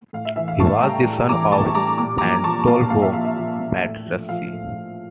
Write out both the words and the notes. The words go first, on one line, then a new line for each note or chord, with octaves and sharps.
He was the son of Pandolfo Petrucci.
A2 F5
E5
E3 E5
F5
A2 A5 C#6
G3 G5 A#5
A2
E3 A#5 D6
A2 A5 C#6
G3 A#5 D6
A#2 D6
F3 A#5 D6
A#5
F3 A5 C#6
A#2 F5 A5
A#2 F5
E5
F3 F5
E5
F3
A#2
A2
F3
F3 F5
A2
A2